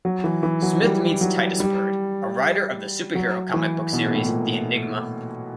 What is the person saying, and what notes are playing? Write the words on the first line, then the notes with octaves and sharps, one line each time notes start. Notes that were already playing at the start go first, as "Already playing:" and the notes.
Smith meets Titus Bird, a writer of the superhero comic book series "The Enigma".
F#3
E3
E3
F#3
G3
F#3
G3
F#3
E3
B2
A#2
A2
A#2